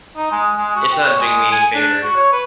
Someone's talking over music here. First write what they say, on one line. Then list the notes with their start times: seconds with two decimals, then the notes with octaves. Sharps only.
it's not doing me any favors
0.17 D#4
0.31 G#3
0.56 G#3
0.76 F#4
0.93 G5
1.07 C#5
1.20 G#3
1.51 G#5
1.75 D4
2.03 F#4
2.15 C#5
2.32 B4